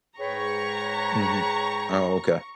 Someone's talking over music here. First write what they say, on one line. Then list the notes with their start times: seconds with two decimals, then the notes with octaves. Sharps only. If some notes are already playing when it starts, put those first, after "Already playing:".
Mhm. Oh, okay.
0.19 G#2 G#4 B4 C#5 G5 A#5 C#6